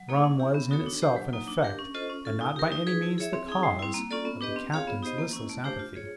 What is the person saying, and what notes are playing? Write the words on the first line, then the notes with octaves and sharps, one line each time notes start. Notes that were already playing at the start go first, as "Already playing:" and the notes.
Rum was in itself an effect, and not by any means the cause of the Captain's listless apathy.
Already playing: F#3
A#3 D#4 G#4 C#5
C#4
E4 G4
B3
D#4 F#4 A4 C#5
D4
G4 C5
F#3
A#3 D#4
D4
G4 A#4
C#4
F4 A4 C5 D#5
C#4
F4 A4
D#4
G4 A#4
D#4
G#4 B4
E4
G#4 C#5 E5
C4
D#4 G#4
G3
C4 E4
A#3
C#4 F4 A4 D5
B3
D4 G4 B4 D#5
C4
F4 G#4 C#5 F5
B3
D#4 G4 C5 D#5
A#3
C#4 E4
A3
D4 G4 C5
F4
G#4 C#5